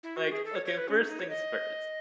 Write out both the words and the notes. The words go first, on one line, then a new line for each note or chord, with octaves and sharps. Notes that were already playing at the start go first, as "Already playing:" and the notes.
like, okay, first things first,
E4
F#4
G#4
A4
C#5
C#5
B4
C#4
D#4
D#4
C#5
D#5